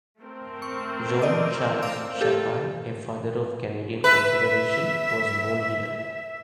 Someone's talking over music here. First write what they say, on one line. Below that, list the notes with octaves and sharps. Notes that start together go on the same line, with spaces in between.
Jean-Charles Chapais, a Father of Canadian Confederation, was born here.
A3 C4 A#4
C#6
D5 D#5 D6
F5 D6 E6
G4 A4
B4 E5